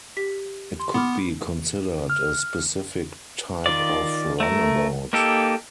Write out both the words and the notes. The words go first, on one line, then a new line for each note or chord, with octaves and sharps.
It could be considered a specific type of runabout.
G4 B6
C6
B3 B5 D6 F6
F6
D#3 F4 D5
A3 A#4
A#3 D#4 G4 A4